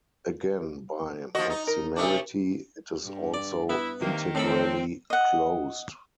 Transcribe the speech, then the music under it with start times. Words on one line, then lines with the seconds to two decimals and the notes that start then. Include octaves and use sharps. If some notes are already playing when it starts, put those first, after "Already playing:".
Again by maximality it is also integrally closed.
1.35 F3 F#4 D#5
1.50 D#4
1.67 A#4
1.96 C3 A3 D4
3.03 G2
3.34 D5
3.70 B3 E4 E5
4.01 C3 D#3 A#3
4.35 A2 C4 A4 B5
5.10 D#5 F#5